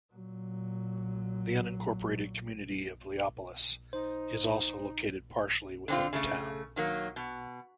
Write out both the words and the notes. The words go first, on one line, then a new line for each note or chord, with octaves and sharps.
The unincorporated community of Leopolis is also located partially within the town.
A#2 F#3
D#4 C5
D3 C4 F4
C#3 A3
D#3 F#3 A#3
B2